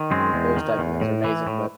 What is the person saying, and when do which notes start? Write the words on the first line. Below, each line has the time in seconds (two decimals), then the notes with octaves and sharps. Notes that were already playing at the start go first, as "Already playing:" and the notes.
those type of things are amazing, but
Already playing: D#3
0.11 F#2 G#3 C4
0.34 E2
0.56 D#3
0.79 E2
1.01 A2
1.24 E3
1.47 A2